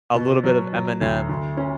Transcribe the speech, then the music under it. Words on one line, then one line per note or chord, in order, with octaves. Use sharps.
a little bit of Eminem
B2
F#3
F#3
D2
D2
C#4